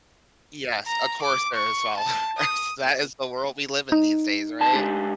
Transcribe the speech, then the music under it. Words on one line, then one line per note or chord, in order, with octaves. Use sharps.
Yes, of course there is followers. That is the world we live in these days, right?
A#5
D6
C#6
A5
D#6
D#4
C2 D#3 A5
G#3 D4 G4